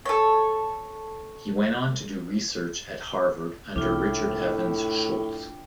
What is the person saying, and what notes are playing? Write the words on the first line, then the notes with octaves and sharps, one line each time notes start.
He went on to do research at Harvard under Richard Evans Schultes.
A4 C#5
C2 A2 D4 E4 F4 G5